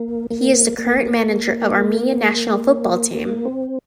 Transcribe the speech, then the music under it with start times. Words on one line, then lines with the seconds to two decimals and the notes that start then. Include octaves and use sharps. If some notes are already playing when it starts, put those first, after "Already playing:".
He is the current manager of Armenia national football team.
Already playing: A#3
0.30 A#3
0.78 A#3
3.15 A#3
3.45 C4